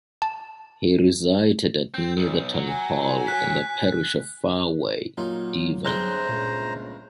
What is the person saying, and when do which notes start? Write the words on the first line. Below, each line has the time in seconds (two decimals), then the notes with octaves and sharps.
He resided at Netherton Hall in the parish of Farway, Devon.
0.22 A5
1.94 C4 G6
2.17 B1
2.53 F#3
2.68 G#5
3.27 F#6 B6
5.17 A#2 F#3 D#4 F4
5.85 G1 C4 D4 G#4 C5 A#5 F#6 G7
6.29 C#2 A#2